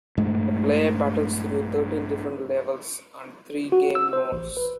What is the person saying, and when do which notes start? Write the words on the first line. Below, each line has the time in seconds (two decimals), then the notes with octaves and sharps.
The player battles through thirteen different levels and three game modes.
0.17 A#1 G2 G#3 A3
3.72 F#4
3.95 E6
4.13 C5
4.32 A1
4.57 B4